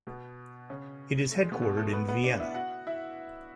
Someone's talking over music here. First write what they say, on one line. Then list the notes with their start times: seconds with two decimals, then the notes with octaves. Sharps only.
It is headquartered in Vienna.
0.07 B2 B3
0.70 C#3 C#4
1.31 A3
1.42 G#3
1.52 B2 B3
1.62 B2 B3
1.77 A3 A4
1.93 B3 B4
2.08 B3 B4
2.24 D4 D5
2.40 E4 E5
2.55 F#4 F#5
2.87 E4 E5